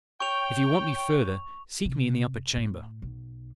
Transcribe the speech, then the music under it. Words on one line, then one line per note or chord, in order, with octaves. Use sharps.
"If you want me further, seek me in the upper chamber."
C#5 G5 C#6 F7
C3
A2
B1